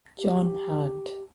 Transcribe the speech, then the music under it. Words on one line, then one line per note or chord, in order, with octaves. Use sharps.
John Hand.
G4